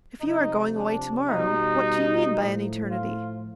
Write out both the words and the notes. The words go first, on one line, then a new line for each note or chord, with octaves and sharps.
"If you are going away to-morrow, what do you mean by an eternity?"
C3 F3 D#4
D4
B2 G3 D#4
A2 F3
F4